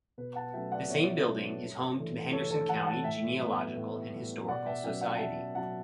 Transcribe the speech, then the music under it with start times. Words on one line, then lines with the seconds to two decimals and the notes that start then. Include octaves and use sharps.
The same building is home to the Henderson County Genealogical and Historical Society.
0.18 B2 B4
0.35 F#5 A5
0.53 F#3 A3 C#4 E5 G5
0.72 D5 F#5
0.89 B2 C#5 E5
1.26 F#3 A3 C#4
1.61 G2
1.97 E3 A3 D4
2.33 G2 A4 C#5
2.50 A4 C#5
2.69 E3 A3 D4 F#5 A5
2.86 F#5 A5
3.04 A2 E5 G5
3.40 G3 B3
3.76 A2
4.13 G3 B3
4.48 B2 D5 F#5
4.66 E5 G5
4.83 F#3 C#4 E5 G5
5.01 D5 F#5
5.16 A5
5.20 B2 E5 G5
5.55 F#3 C#4 F#5 A5